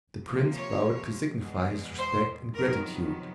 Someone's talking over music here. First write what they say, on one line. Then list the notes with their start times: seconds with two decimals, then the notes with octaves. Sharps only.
The prince bowed to signify his respect and gratitude.
0.24 C3 F3 A#3
0.54 C#5
1.39 E2 B2 G#3
1.97 C5
2.53 F2 C3 D#3 F#3 B3 A#4